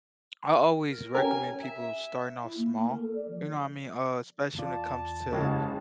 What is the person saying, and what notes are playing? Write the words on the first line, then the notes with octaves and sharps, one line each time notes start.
I always recommend people starting off small, you know what I mean? Uh, especially when it comes to
A#4
C#4 G4 A#4 G#5
E5
E4
A#3
A#3
A#4
A4
D5
F3
E2 F4 D5 A5
F#1 C#3 G#3 G4